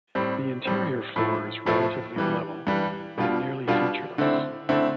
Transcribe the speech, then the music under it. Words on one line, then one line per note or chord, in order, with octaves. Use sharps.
The interior floor is relatively level and nearly featureless.
A2 G3 C4
A2 G3 C4
A2 F3 A3 E4
A2 F3 A3 E4
G2 E3 G3
G2 E3 G3
B2 G3 D4 F4
B2 G3 D4 F4
D3 A3 C4 E4
D3 A3 C4 E4